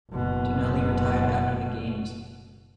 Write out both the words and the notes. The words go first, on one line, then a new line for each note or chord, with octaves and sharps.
Tonelli retired after the Games.
F#1 B2